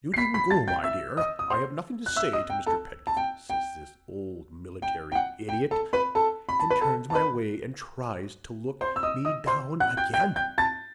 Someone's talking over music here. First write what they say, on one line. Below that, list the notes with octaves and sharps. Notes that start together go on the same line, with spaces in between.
'You needn't go, my dear, I have nothing to say to Mr. Pedgift,' says this old military idiot, and turns my way, and tries to look me down again.
C7
B5 B6
B5 B6
A5 A6
G5 G6
E5 E6
D#5 D#6
D#6
C5 C6
F#6
E5 E6
D#5 D#6
G5
A4 A5
A5
G5
G5
G5
G5
F#5
G5
A4 A5
B4 B5
A4 A5
B5
A5
B4 B5
A4 A5
A5
B4 B5
C5 C6
E6
D#5 D#6
D#5 D#6
C5 C6
F#5 F#6
G5 G6
G5 G6
G5 G6
A5 A6